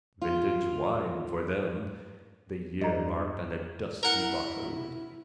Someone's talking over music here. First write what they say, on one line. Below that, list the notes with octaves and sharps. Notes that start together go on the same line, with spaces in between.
Vintage wine for them, the year marked on a dusty bottle.
F4
G2 D#5 A#5
E4 A#4 F#5